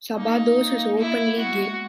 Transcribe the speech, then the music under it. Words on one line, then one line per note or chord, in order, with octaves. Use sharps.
Sabados is openly gay.
A#3 D#4
A#3
E4
B3 F#4
G#3